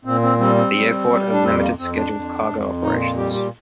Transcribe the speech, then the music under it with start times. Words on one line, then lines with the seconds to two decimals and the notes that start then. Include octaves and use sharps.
The airport has limited scheduled cargo operations.
0.05 A#2 C4
0.22 C4
0.39 G3 C4
0.57 C4
0.74 G3
1.09 G3
1.32 D4
1.43 F2 C4
1.60 A#3
1.78 F2 C4
1.96 D4
2.13 F2
2.47 F2
2.81 A#2 D#4
3.00 F4
3.17 G3 G4
3.34 G4